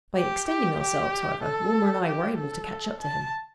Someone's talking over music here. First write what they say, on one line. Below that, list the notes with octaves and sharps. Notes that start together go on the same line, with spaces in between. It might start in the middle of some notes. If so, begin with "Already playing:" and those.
By extending ourselves, however, Wilma and I were able to catch up to him.
G4
G4
G4
A4
G4
A4
A5